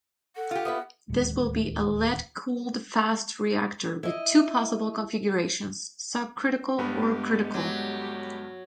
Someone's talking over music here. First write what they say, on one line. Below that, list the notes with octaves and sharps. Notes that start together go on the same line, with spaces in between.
This will be a 'Lead-cooled fast reactor' with two possible configurations: sub-critical or critical.
A4 F#5
F4 G4
B3 E4 B4
D1 D#2 G#3
E4 D#5
G2 D3 G3 G#3 B3 G4
F#3